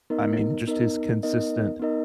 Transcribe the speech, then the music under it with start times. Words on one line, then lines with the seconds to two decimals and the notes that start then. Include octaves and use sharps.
I mean, just his consistent
0.10 B3 D#4 A#4 D#5
0.67 B3 D#4 A#4 D#5
1.23 B3 D#4 A#4 D#5
1.79 B3 D#4 A#4 D#5